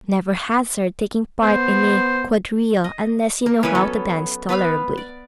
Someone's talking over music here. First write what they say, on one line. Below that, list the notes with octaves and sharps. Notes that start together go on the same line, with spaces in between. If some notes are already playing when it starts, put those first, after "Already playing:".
Never hazard taking part in a quadrille unless you know how to dance tolerably.
B3 C5
D#5
A#3
E3 C#4 B4 G#5
F#3 B3 A4
B3 B4 F5 B5
D5